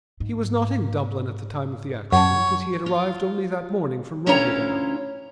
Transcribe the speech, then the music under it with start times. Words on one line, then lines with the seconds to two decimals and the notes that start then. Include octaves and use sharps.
He was not in Dublin at the time of the accident as he had arrived only that morning from Rotterdam.
0.20 G#2
2.12 F#2 C#5 F#5 A5
2.86 F4
4.26 D2 C#4 E4 F4 C#5 A#5